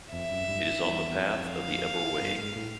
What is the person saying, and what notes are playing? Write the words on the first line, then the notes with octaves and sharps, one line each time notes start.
It is on the path of the Ebor Way.
F2 E5
F#2
G2
E2
E2
F2
F5
G2
G#2
A2